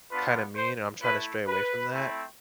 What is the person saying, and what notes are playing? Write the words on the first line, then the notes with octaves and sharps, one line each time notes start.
kinda mean, and I'm trying to stray away from that.
B3 D4 F4 B4
C5
A3 E4 B4
B4
A3 C4 E4